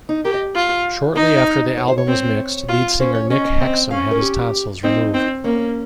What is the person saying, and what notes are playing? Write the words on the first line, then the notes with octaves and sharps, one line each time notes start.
Shortly after the album was mixed, lead singer Nick Hexum had his tonsils removed.
D#4
G4 A#4
D#5
F4
D#4 D#5
C#5
C5
C#5
C4
F4
C#4 C5
C#5
C#4 D#5
D#5
C4
C#4 F5
A#4
G4
C4 D#4
C4
A#3 C#4